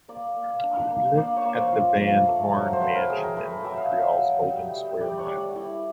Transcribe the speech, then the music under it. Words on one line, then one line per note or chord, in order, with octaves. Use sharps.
He lived at the Van Horne Mansion in Montreal's Golden Square Mile.
A#3 D5
A#3
D4
A#3
A#3 D5
C#5
A#3
C5
F4
A#3
A3
F#3
C5
A3 B4
A#4
A3 G#4
A#4
A3 B4
B4
F#3 E5
F5
F#3 E5
F#3
G3
G3
G3 D5
C#5
G3
D5
E4 D5